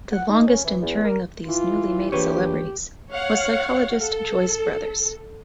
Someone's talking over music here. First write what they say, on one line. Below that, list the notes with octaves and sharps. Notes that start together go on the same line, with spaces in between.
The longest enduring of these newly made celebrities was psychologist Joyce Brothers.
F#5
D#4
C#4
E3
E2
A#4
E3 F4
A#1 E2 G4 B4 C#5
C#5 F5 F#5
A4